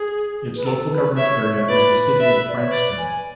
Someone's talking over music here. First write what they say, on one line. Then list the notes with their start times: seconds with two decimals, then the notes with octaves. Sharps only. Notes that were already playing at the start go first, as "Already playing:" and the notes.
Its local government area is the City of Frankston.
Already playing: G#4
0.56 B4
0.65 A4
0.91 B4
1.17 C#5 E5
1.43 C#5
1.68 B4 D5
2.20 E5
2.49 D5
2.60 C#5
2.72 B4 D5
2.97 G#5